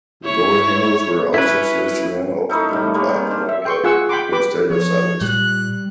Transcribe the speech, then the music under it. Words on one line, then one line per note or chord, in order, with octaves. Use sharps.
The door handles were also switched around, opening by pulling up instead of sideways.
E4 C#5
C#4 E4 B4
A3 D#4 E4
A2 D#3 G3
G3 A#3 G#4 C#5
D#3 C4
D4 C5
E5
G5 C6 C#6
F4 G#4 F#5 C#6 E6
G5 B5 C6 D6
G4 B4 B5 D6
F3 C#5
A#2 G3 F#6